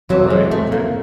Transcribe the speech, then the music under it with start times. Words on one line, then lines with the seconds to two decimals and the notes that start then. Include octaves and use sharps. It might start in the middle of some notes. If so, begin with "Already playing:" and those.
Right, okay.
0.09 F2 C3 E3 F#3
0.30 G#3
0.51 A3
0.72 A#3